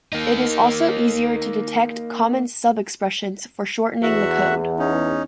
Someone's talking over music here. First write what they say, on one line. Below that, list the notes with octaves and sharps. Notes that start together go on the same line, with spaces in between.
It is also easier to detect common sub-expressions for shortening the code.
A#3 D#4
E2 F#4 E5 F#5
C#4 D#4